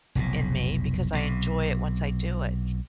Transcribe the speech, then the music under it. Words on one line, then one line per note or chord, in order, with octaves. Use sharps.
in me, because I enjoy it once I do it.
F1 B1 A2
B1 C3